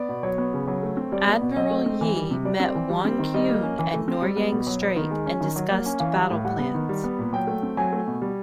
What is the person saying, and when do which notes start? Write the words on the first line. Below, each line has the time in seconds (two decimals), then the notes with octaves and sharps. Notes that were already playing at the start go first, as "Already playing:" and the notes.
Admiral Yi met Won Kyun at Noryang Strait and discussed battle plans.
Already playing: B3 D5
0.09 B2
0.23 F#3 C#5
0.38 B3
0.53 C#3
0.67 F#3
0.83 A3
0.97 C4
1.12 G3 D5
1.27 B3
1.42 B2
1.56 F#3 D#5
1.71 A3
1.86 C4
2.01 E3
2.16 G3
2.31 C3
2.45 G3 D5
2.60 C4
2.75 E3
2.90 G3
3.05 C4
3.19 D#3
3.34 G3 D#5
3.48 A#3
3.63 C#4
3.79 E3
3.94 A3
4.08 C4
4.22 G3
4.37 B3
4.52 B2
4.67 F#3
4.82 B3
4.96 D#3
5.11 G#3
5.26 C#4
5.41 D#3
5.56 F#3
5.71 A#3
5.86 C#4
6.00 E3 F5
6.15 G3
6.30 A2
6.45 G3 F#5
6.59 B3
6.74 D#3
6.89 G3
7.04 B3
7.19 A#2
7.33 F#3 G5
7.47 A3
7.63 C4
7.77 F#3 G#5
7.92 A3
8.07 B2
8.22 G3